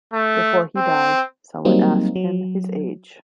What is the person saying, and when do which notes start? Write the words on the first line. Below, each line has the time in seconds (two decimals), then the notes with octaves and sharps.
Before he died, someone asked him his age.
0.13 A3
0.77 C4
1.65 F#3 G3 A#3 C4 D#4
2.16 F#3